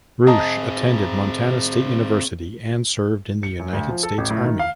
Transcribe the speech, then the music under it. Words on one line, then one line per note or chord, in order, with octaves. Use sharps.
Roush attended Montana State University and served in the United States Army.
C4 G#4 D#5 A5 A#5
C#7
F#2
D2
F3
A4
A1
A2
D#3
F5